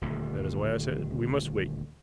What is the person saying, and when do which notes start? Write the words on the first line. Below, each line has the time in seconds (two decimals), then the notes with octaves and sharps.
That is why I said we must wait.
0.01 D#1 D2